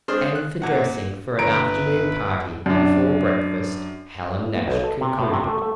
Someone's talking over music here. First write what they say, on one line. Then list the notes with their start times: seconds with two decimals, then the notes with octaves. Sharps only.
"And for dressing for an afternoon party before breakfast," Helen Nash concluded.
0.08 G#3 C4 D4 C6 D#6 F6
0.35 F#6
0.62 A#2 F#5
1.39 G1 B4 A#5 D7
2.66 F#2 D4
4.54 B3
4.68 B1
4.84 A4
5.01 C3
5.19 A2
5.33 C3
5.47 A3
5.62 A3